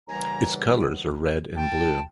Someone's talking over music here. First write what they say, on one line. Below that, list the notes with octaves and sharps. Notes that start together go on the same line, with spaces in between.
Its colors are red and blue.
D#2 C#3 E3 G3 B3 G#5 A#5
G5 A5